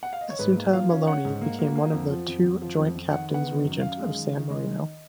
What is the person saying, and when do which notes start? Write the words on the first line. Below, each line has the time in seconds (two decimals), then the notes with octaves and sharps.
Assunta Meloni became one of the two Joint Captains Regent of San Marino.
0.03 F#5
0.13 F5
0.21 D#5
0.30 C#5
0.39 G#2 B4
0.56 A#3
0.73 F3 F5
0.90 C#4
1.07 C#4 F#5
1.25 G#2
1.42 A#3
1.59 A#3
1.76 A#3
1.93 F2
2.11 F3
2.28 F2
2.44 F2
2.62 F3
2.79 F2
2.95 F2
3.13 D#3 F#5
3.30 B3 F#5
3.47 D#3
3.64 F#2
3.81 F#2 F5
3.99 G#3
4.15 D#3
4.33 D#3
4.50 G#3 D#5
4.67 D#3